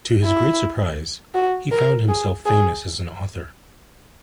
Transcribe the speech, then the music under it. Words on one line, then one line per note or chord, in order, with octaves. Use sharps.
To his great surprise, he found himself famous as an author.
E4
F#4
A#4
G#4
G#4